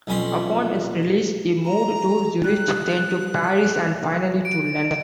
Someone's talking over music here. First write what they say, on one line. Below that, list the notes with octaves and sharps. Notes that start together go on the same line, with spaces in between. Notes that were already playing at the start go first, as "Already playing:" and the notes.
Upon his release he moved to Zurich, then to Paris and finally to London.
B1 F2 C#4 B5 C6
A#5
G3 F#6
D7